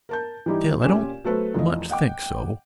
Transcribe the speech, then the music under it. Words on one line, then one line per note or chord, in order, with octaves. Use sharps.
Still, I don't much think so.
A#4 A5 G6
E3 G3 D#4 E4 G4
A#2 C#4 G4 G#5 E7
F#3 A3 A4 B4 C5
F1 E3 F4 D#5
D#5 F#5 G5 D6